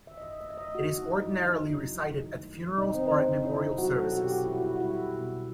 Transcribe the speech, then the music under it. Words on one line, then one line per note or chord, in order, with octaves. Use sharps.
It is ordinarily recited at funerals or at memorial services.
D#3 E5
D#5
E5
A3 D#5
E5
D#5
A3 F#4
D#4
D#3
E4
D#3 D#4
F#3
D#3
A3
C3 D#4
C4
D#4
D#3 C4
D#4
C3 E4
F#3 F#4
A4
B2 F#4
G4
F#4
G3 E4
F#4
E4
F#4
G3 E4
B2